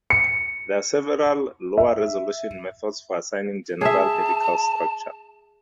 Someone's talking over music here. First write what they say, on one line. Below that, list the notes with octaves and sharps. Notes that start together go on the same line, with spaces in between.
There are several lower-resolution methods for assigning general helical structure.
C#7
E5
G#4 E5 A5